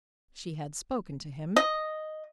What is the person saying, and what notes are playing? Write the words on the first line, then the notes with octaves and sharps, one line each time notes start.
She had spoken to him.
D#5